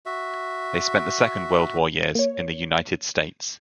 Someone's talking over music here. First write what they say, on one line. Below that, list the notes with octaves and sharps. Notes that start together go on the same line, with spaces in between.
They spent the Second World War years in the United States.
F#4 E5
A#3 C#5